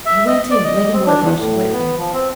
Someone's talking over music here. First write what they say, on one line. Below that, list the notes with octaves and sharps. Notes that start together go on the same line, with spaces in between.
He went in, leaving word that I should wait for him.
E5
D#5
D5
D#5
C4
D4
E2
A2
B3
F3
C4